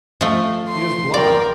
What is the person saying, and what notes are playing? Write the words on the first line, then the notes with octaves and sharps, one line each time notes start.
"He is blind."
F3 A3
C6
A#4 D5 G5